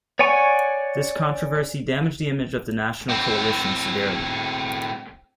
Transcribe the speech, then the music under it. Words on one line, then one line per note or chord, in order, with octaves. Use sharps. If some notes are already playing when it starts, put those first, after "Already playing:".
This controversy damaged the image of the National Coalition severely.
C#5 D5 F#5 G#5 C#6
A2 C4